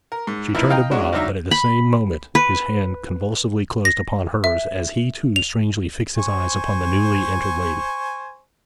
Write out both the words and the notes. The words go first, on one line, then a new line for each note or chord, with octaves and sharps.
She turned to Bob, but at the same moment his hand convulsively closed upon hers as he, too, strangely fixed his eyes upon the newly-entered lady.
A#4
G#2
E3 F3 A#3 D#4 E4
D#5 F5 G5 A#5
F#3 G#3 C#4 D4 F#4
C#2 F#3 D4 D#4 E5 A#5
B5
B4
A#6
E5
F7
C5 G#5 C#6